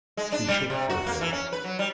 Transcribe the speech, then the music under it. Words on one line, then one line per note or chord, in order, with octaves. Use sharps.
She shook her head.
G#3
D4
G3
C3
F#4
A#3
E3
C#4
B4
F#3
G3